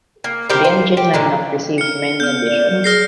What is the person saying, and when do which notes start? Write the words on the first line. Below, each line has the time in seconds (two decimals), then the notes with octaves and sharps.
The engine lineup received many additions.
0.24 A#3
0.50 C4 E4 G4 A#4
0.64 C5
0.97 G4
1.14 A#2 D3 A#3
1.78 F6 C#7
2.20 B3 F6 G6
2.46 D5
2.70 F#3
2.84 G#4 F6 A#6 C7